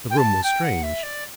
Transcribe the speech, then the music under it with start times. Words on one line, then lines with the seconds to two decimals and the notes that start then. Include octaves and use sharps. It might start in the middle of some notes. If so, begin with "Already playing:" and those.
The room was strange!
0.10 G5
0.17 A5
0.43 G5
0.63 F#5
0.83 E5
1.03 D5